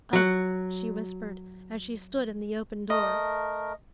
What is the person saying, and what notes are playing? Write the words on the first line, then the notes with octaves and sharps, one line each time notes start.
"Oh!" she whispered, as she stood in the open door.
F#3 F#5
A3 A#4 D#5